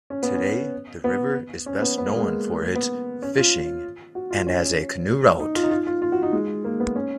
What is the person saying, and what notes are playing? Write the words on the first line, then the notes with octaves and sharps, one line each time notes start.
Today the river is best known for its fishing and as a canoe route.
C#4
B3
C#4
B3
C#4
B3
B3
A#3
G#3
A#3
A#3
B3
C#4
F4
F#4
F4
C#4
D#4
F4
D#4
F4
F4
F4
F#4
D#4
G#3
A#3
B3
C#4